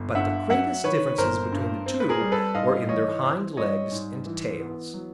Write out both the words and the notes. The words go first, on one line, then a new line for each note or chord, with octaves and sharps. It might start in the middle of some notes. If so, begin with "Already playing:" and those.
But the greatest differences between the two were in their hind legs and tails.
Already playing: G1
G2 E5 F#5
F#3 E5 F#5
D#3 B4 C#5
G1 A#4 C5
G2
C4
B4
G#4 A#4
G3
A4 B4
G#2 D#5 F5
E3 C#5 D#5
C4
G3 C#5 D#5
G#2
E3
B3
F#3